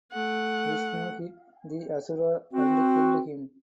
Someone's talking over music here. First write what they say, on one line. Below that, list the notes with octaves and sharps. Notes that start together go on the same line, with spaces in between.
Vishnu hit the asura and killed him.
A3 F#5
C4 F#4